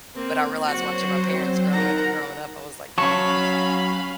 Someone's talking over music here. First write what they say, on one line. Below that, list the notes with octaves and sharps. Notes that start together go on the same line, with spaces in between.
but I realized watching my parents grow, uh growing up, I was like, "No, my dad."
A#3 C4
F#3 F#4 C5
C4
D#4 A#4 F#5 A#5
F#3 C#4 F5 A5 B5 C#6